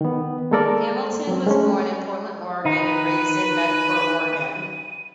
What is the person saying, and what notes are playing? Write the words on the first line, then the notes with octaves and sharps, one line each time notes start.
Hamilton was born in Portland, Oregon and raised in Medford, Oregon.
D#3 B3
G#3 A#3 A4 A#4 D5
F#3 C4
G#3 A3 C#4
D#3 D#4 B4 D#7